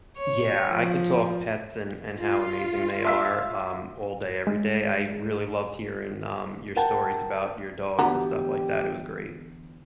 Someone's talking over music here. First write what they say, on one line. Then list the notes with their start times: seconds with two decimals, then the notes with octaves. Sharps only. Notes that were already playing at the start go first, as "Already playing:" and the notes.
Yeah, I could talk pets and and how amazing they are, um, all day every day. I really loved hearing, um, your stories about your dogs and stuff like that. It was great.
0.17 C#5
0.69 F3
2.19 F4
3.05 E5 F5 C6 E6 B6
4.47 G#3
6.76 A#4 F#5 G5 A5
7.99 D3 E3 B3 F#4 G4 A#5